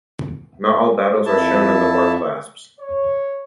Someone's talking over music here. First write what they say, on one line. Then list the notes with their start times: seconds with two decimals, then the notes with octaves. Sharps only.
Not all battles are shown on the bar clasps.
1.26 F2 E4 A5
2.79 C#5